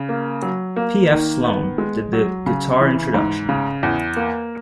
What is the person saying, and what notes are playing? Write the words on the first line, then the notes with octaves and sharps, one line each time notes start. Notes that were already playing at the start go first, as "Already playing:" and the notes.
P. F. Sloan did the guitar introduction.
Already playing: C#3
A#3
F#3
A#3
D#3
B3
G#3
F#3
C#3
E3
G#2
C#3
E2
A#3